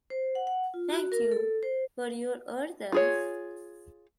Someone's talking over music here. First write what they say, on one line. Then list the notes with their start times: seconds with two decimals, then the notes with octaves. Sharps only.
Thank you for your order!.
0.10 C5
0.35 F#5
0.47 F#5
0.74 F4
0.90 F#4
1.12 A#4
1.32 A4
1.63 C5
2.92 F4 G#4 C#5